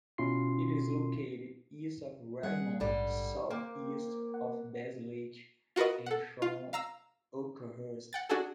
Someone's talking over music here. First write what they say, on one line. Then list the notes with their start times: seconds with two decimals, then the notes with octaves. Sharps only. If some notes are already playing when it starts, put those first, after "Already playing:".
It is located east of Raymond, south east of Bass Lake and from Oakhurst.
0.18 B2 C#4 E4 F4 C6 C7
2.43 G3 G#4 F#5
2.80 A#1 G#2 D3 G3
3.50 A#3 C5 G5 D6
4.34 F#5
5.76 F4 F#4 A#4 B4 D#5
6.06 A4 F#5
6.42 F4
6.73 F5 A#5 E6
8.13 F#5 G5 A6
8.29 D4 F#4 G#4 A4